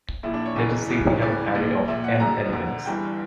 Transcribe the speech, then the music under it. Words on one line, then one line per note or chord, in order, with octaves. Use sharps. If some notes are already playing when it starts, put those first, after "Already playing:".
Let us say we have an array of n elements.
A#1 A#2 E4
D4
C#5
F#1 E2 C#3 E3
C#2 C#3 E3
C#2 C#3 E3 D5
A#1 A#2
A#1 A#2 E5
F#5
F#1 F#2 D3 A#5
D2 D3
G1 G2 E3 G5